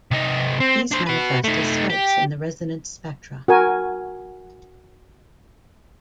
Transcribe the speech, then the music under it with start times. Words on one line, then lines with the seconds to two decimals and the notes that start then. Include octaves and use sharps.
These manifest as spikes in the resonance spectra.
0.11 C3 D#4
0.60 C4
0.91 D4 C5
1.06 F#4 B4
1.44 A3 D#4
1.90 G4
3.48 F#4 A#4 G#5